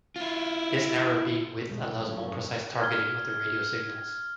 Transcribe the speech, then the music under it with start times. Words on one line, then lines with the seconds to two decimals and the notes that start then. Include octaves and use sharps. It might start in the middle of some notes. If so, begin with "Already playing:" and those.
This narrow beam width allows more precise targeting of the radio signals.
0.16 E4 F4
1.65 F1 A#1 G#2 B2 G#3 A3
2.02 G1 G2 F#3 A3 C#4
2.80 F6 G#6 G7